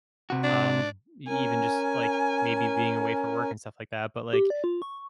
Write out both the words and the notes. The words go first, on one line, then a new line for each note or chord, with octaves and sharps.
um, e even just, like, maybe being away for work and stuff like that. But, like,
C3 F#4
D4
C#4 A#4 G#5
G4
D5
F4
C#6